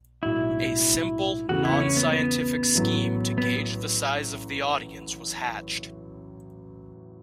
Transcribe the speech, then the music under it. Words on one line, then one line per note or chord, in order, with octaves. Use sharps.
A simple, non-scientific scheme to gauge the size of the audience was hatched.
B1 A2 G#3 D4 E4 F#4
E2 C#3 E3 A3 F#4
E4
B3
C#4
B3
B3
A1 A2 F#3
B3